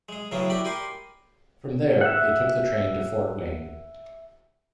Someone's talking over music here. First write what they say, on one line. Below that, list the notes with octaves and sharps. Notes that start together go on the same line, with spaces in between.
From there, they took the train to Fort Wayne.
G#3 G#4
A2 C#3 F#3 B3 C#4 G#4
E4 F#4 G4 D5 G5 B5
G4 A#4 G#5 B5 C6 D6
E5 F#5